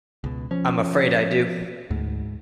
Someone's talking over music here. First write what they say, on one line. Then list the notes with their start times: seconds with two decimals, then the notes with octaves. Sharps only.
I'm afraid I do.
0.24 C#2 B2
0.51 F3 C#4
1.91 D2 G#2